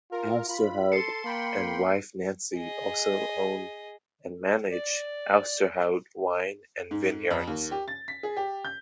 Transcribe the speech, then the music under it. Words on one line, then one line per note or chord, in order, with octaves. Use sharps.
Ousterhout and wife Nancy also own and manage Ousterhout Wine and Vineyards.
F4 A#4
F4 B5
A4 A5 C6 C7 C#7
A#3 G5 B5 C6
G#4 D#5
D5
G#2
F2
D#2
G4
A6
B6
G#4
G4
G6